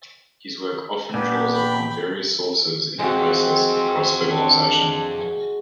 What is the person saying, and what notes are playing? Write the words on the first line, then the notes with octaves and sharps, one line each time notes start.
His work often draws upon various sources in a process of cross-fertilization.
A#2 B3 D4 G4
G5 B5
F2 F3 G#3 C4 F#4
D4